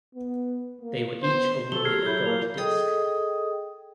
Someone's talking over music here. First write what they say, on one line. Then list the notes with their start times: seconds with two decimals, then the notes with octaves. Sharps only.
They were each awarded a gold disc.
0.15 B3
0.81 A#3
1.23 B3 C5
1.72 F#3 A4 G7
1.85 G4 G#4 F6 G#6 C7
2.06 E4 G#4 C#5 G6
2.25 A#3 A#4 A5 F7
2.57 G#4 A4 D#5 G5 D#6